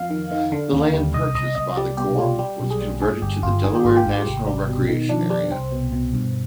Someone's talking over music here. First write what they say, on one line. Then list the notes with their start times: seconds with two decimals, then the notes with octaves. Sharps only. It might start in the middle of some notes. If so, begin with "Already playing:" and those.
The land purchased by the Corps was converted to the Delaware National Recreation Area.
Already playing: F2 F5
0.10 D#3
0.31 D#3
0.52 D3
0.73 D#2
0.93 G3
1.14 C2 D#5
1.35 C2 D#5
1.55 C2 D#5
1.76 G3 D5
1.97 B2 G4
2.18 G3 F4
2.39 G3 G4
2.60 B1
2.70 G#4
2.81 G3
3.01 G2 G#4
3.22 G1 G4
3.43 G1 F4
3.64 D#3 G#4
3.75 G4
3.85 G#1 F4
3.97 G4
4.05 G#1
4.26 C2
4.47 G3
4.68 B2
4.88 D#3
5.09 F2 D4
5.30 G3 D4
5.51 C2 C4
5.72 B2
5.93 B2
6.14 G2